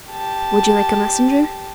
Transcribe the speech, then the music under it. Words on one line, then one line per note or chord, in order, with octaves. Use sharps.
'Would you like a messenger?
G4 A5